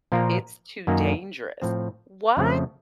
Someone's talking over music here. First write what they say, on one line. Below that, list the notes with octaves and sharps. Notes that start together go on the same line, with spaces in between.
It's too dangerous." What?
A#2 F3 A#3 F4 A#4
F#2 D#3 A#3
A2 F3 C4
F2 C#3 F3 A3